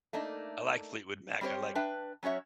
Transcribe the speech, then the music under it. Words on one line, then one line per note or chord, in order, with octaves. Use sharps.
I like Fleetwood Mac, I like
A3 A#3 D4 D#4
G3 C4 G4 C5 C#5
D4 B4 E5 G5
F#3 C#4 F#4 C#5 E5